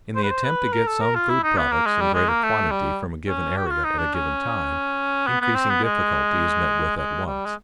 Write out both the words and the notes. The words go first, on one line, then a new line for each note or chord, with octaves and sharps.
In the attempt to get some food-products in greater quantity from a given area at a given time, increasing difficulty is met with at once.
C5
B4
C5
B4
A#4
A4
A#4
F4
E4
D#4
B3
A#3
G#3
G3
G#3
A#3
A3
G3
C#4
G4
F#4
F4
D#4
D4
C#4
B3
B3
C4
B3
G#3
G#3
G3
G#3